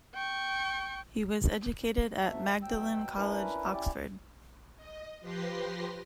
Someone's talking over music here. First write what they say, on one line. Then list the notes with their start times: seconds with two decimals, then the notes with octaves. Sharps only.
He was educated at Magdalen College, Oxford.
0.14 G5 C#6
2.22 D2 F#3 A3 A4 E5
2.62 B2 F#3 G5 E6
3.17 C#4 D4 E4 A#4 B4
3.72 C#4 E4 G4 D5
4.77 D#5
5.21 F3 G4 B4 C6 A#6 C7